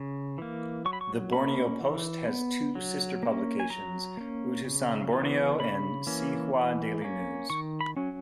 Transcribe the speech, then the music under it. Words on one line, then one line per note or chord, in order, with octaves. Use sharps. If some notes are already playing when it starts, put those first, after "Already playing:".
The Borneo Post has two sister publications; "Utusan Borneo" and "See Hua Daily News".
Already playing: C#3
E3 A#3
F#3 C#6
B5
C#6
A#3 C#4 B5
E3
B3
F#3
A#3 C#4
G#5
F#3 A#5
A#3 C#4
C#3
E3 B3
C#3 B5
E3 A#3 C#4
E3
A#3 C#4
D#3 C#6
B5
F#3 C#4